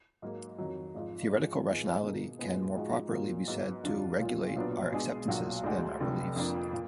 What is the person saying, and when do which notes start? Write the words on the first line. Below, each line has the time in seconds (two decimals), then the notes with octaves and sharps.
Theoretical rationality can more properly be said to regulate our acceptances than our beliefs.
0.22 G#2 F#3 A#3
0.58 F2 D#3 F#3
0.95 G#1 G#2 F3
1.31 G#2 F3 G#3 D4 F4
1.67 G#2 D#3 G#3 B3 F4
2.03 B2 A#3 D4 G#4
2.39 A#2 G#3 B3
2.75 G#2 F3 G#3 D#4 F#4
3.11 A#2 F#3 A#3
3.47 G#2 F#3 B3
3.83 F2 D3 F#3 D4 F4
4.19 B1 A#2 F3
4.56 B1 A#2 F#3 B3 D4
4.92 B2 G#3 D4 G#4
5.28 B1 A#2 F#3 D4 F#4
5.64 D2 D3 G#3 D4 F#4
6.00 F1 F2 D3
6.36 F2 F3 A#3 D4 F4
6.73 A#2